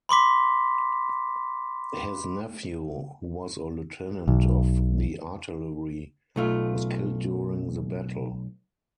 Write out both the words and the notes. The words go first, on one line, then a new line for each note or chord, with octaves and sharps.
His nephew, who was a Lieutenant of the artillery, was killed during the battle.
B5 C6 D6 B6
B1
B1 A3 F4